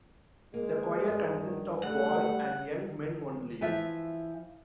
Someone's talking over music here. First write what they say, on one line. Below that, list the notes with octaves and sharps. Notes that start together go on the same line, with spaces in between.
The choir consists of boys and young men only.
G#3 A#3
G2
D#3
G3 A3 F#5
E3 F3 F4 E5